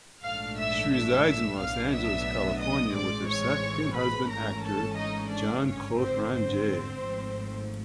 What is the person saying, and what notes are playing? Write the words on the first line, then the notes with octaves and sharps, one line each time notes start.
She resides in Los Angeles, California with her second husband actor, John Cothran J.
A#1 G#2 F3 A3 D4 F5 F6
E5 E6
E5 E6
E5 E6
B1 A2 F#3 B3 D4 F5 F6
E5 E6
D#5 D#6
A1 G#2 E3 G#3 C4 D5 D6
C#5 C#6
B4 B5
G#1 G#2 E3 A3 C#4 A#4 A#5
A4 A5
D#4 D#5
D4 D5
G#1 G2 D3 C#4 C#5
C4 C5
C4 C5
G#1 G#2 F3 A3